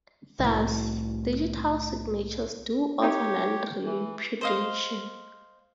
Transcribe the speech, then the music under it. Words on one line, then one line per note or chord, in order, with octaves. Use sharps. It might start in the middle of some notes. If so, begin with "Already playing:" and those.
Thus, digital signatures do offer non-repudiation.
C2 A2
C4 D#4 G4 C#5
E3
C5 D#5 F5